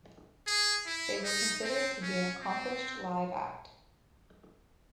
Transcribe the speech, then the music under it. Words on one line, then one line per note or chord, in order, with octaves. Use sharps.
They were considered to be an accomplished live act.
G#4
E4
D#4
C4
C#4
C4